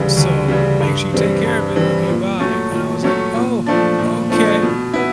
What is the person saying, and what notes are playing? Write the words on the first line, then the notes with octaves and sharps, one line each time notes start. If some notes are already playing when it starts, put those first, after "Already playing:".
so, make sure you take care of it, okay, bye," and I was, like, "Oh, okay."
Already playing: D2 C#3 E3 G3
D2
C#3 E3 G3
G2
E3 G3 C4
G2
E3 G3 C4
A#2
F#3 A3 C#4
A#2
F#3 A3 C#4
A#2
F3 A3 D4
A#2
F3 A3 D4
B2
B3 E4